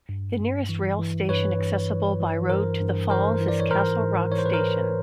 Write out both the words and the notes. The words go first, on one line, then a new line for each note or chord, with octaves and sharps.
The nearest rail station accessible by road to the falls is Castle Rock station.
G2
G2
E3
E3
G2 B4 C#5
G2
E3
E3
G2 A#4 C5
G2
E3 A#4 C5
E3
D5
C#5
G#2 A#4 C5
G#2
E3 C#5
C5
B4
A#4 C5
E3